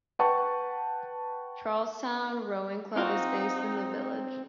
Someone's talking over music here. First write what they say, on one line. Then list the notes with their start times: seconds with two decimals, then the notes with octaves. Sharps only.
Charlestown Rowing Club is based in the village.
0.19 B4 F#5 G5 A5 C#6
2.96 A#3 C4 D#4 F4 F#4